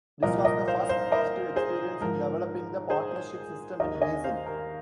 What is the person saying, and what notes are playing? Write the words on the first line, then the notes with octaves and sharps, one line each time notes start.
This was the first positive experience in developing the partnership system in Brazil.
C2 A#2 F3 A#4 D#5
A#4 D#5
C5 F5
C5 F5
A#4 D#5
G#4 C5
G#2 F3 A#4
G#4 C5
D#2 D#3 A#4 D#5
D#5 G#5
C5 F5
A#4